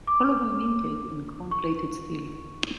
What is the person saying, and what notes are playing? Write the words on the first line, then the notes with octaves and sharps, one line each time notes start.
All were minted in chrome-plated steel.
D6
C#6